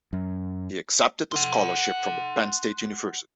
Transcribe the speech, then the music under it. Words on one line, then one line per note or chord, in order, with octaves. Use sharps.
He accepted a scholarship from Penn State University.
F#2
F#5 C6